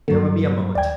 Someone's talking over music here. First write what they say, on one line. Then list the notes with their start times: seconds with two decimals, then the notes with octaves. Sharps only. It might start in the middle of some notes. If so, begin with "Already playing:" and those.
There will be a moment!
0.08 G2 D3 F#3 A#3
0.75 D#2 D5 G5 G#6